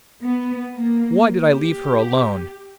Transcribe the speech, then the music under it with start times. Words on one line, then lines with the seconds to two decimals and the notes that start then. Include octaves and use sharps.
Why did I leave her alone?
0.23 B3
0.76 A#3
1.51 G4